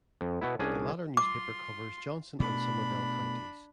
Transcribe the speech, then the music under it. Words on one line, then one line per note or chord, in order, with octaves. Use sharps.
The latter newspaper covers Johnson and Somervell counties.
F2
B2 B3 E4
C2 C#4 D4 G#4
F4 C6 D6
B2 A3 D4 B5